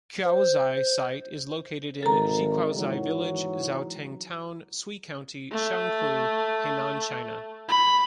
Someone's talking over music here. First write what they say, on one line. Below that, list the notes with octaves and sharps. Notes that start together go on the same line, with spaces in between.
Qiaozhai site is located in Xiqiaozhai village, Zhoutang Town, Sui County, Shangqiu, Henan, China.
C5
G#1 A4 A#4 A#5
G#2 E3 F#3
A3
B5